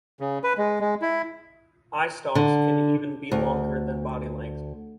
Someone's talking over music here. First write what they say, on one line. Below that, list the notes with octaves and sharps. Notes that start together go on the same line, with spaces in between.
Eyestalks can even be longer than body length.
C#3
B4
G#3
G#3
E4
D3
D2